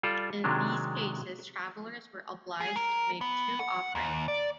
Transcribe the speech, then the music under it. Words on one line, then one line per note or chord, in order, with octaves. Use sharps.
In these cases, travelers were obliged to make two offerings.
G3 F4 A4 D5
C3 D#3 F#3 G#3 D4
G#4
A#4
B3
F#5
D#2
D5